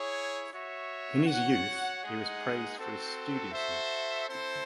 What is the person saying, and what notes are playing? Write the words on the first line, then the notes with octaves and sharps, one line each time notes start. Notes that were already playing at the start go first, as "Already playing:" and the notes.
In his youth, he was praised for his studiousness.
Already playing: E4 G#4 C#5
F#4 C#5 E5
F#4 C#5 F#5
G#3 D#4 G#4 D#5 F#5
C4 F#4 A4 C5
F#4 A4 C5 E5
C4 E4 A4 C5